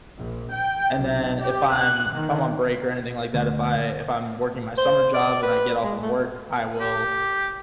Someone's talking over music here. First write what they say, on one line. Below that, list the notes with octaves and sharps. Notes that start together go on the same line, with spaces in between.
And then if I'm if I'm on break or anything like that, if I if I'm working my summer job and I get off of work, I will
A#1
G5
B1
G4
F#6
D#3
D2
C5
D5
B4
G#3
A3
G4